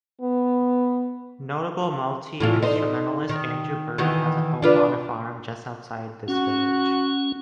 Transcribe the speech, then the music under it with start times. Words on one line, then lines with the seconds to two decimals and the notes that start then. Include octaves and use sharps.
Notable multi-instrumentalist Andrew Bird has a home on a farm just outside this village.
0.21 B3
2.40 A2 E3 F4
2.62 D#4 C5
3.29 D#3
3.98 D#3 E3 F#4
4.62 D4 F4 B4
6.28 C#4 F#4